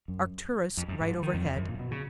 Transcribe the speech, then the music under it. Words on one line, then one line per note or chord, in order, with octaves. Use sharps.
Arcturus right overhead.
F#2
F2
F#2
G#2
F3
D#3
F2
F2
F#2
A#2
B2
C#3